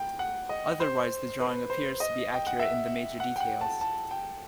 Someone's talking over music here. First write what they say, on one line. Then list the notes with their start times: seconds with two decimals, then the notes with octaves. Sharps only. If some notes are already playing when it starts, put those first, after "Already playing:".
Otherwise the drawing appears to be accurate in the major details.
Already playing: G5
0.19 F#5
0.49 D#5
0.80 C5
1.40 B4
1.70 C5
2.00 D#5
2.34 G5
2.47 F#5
2.60 E5
3.20 F#5
3.36 G5
3.40 F#5
3.61 A5
3.81 A5
4.11 G5